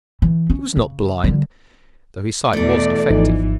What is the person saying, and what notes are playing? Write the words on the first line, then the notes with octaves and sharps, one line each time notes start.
He was not blind, though his sight was defective.
E3
C#4
C#3
D3 G3
E2 B2 A3 A4 D5
G#1 E3 F3 D#4